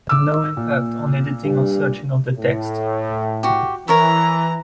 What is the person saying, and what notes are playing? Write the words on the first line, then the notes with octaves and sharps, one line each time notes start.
Thus they had no impact on editing or searching of the text.
D6 E6
A#2
G2
A2
F#4 G4
E3 A#4 C#5 E5 A#5